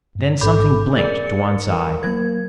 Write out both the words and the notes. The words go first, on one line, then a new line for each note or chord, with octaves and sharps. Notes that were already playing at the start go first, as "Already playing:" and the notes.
Then something blinked to one side.
G2
A1 G#2 A4 B5 D6 G6
G#4 A#4 D5 A6 C#7
C#7
E3 A#4
F#3 A#3 A#4 G#6